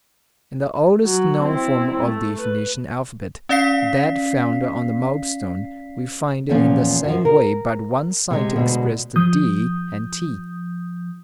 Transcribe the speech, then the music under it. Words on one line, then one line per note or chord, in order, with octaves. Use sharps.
In the oldest known form of the Phoenician alphabet, that found on the Moab stone, we find in the same way but one sign to express the d and t.
F#3
C4 E4
A3
B4
C#4 D5 F5 B6 C7
E2 A#2 F3 C#4
F#2 F3
A#4
C3 G#3
D2 B2 G#3
F3 D#6 G6